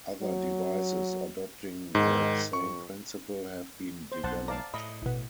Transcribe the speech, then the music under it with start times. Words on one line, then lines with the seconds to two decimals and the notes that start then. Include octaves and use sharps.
Other devices adopting the same principle have been developed.
0.21 F#3
1.95 G#2 D#3
2.53 F2 C#6
4.12 C5
4.24 B1 C5 F#5 A5
4.48 D5 F5 A5 A#5
4.74 A2 D#5 E5 B5
5.02 A1 B2